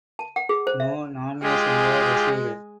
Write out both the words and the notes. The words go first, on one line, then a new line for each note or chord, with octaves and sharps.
No nominations were received.
A5
F#5
G#4
C5
E5
G#3 F4 G4 G#4